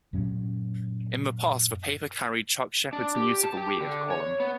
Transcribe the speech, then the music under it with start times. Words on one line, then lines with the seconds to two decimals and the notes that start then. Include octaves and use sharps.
In the past the paper carried Chuck Sheppard's News of the Weird column.
0.13 F#2 A#2 F#3 C#4
2.93 D4
3.16 G4
3.43 A5
3.57 G4
3.81 D3
4.10 C#5
4.40 B3